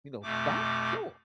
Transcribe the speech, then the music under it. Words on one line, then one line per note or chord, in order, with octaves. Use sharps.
you know, stopped? Sure,
F2 B2 A3 D6